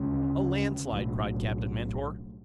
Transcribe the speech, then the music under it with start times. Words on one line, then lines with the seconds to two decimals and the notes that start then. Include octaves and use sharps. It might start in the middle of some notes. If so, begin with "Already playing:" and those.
"A landslide!" cried Captain Mentor.
Already playing: D2 C#3 G#3 C#4
0.92 B1 A2 F#3